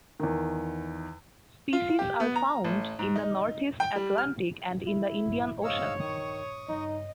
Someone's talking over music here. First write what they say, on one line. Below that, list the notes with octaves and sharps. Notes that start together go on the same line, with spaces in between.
Species are found in the northeast Atlantic and in the Indian Ocean.
E2 D#3
F4
G4
B3
A#5
A1
G#2
D#4
G5
G3
F6
G3 E4
A#1 G2
G#2 C#5 D#5 F5 E6
D#3 C#6 D#6
G2 C#3 D#4 D#5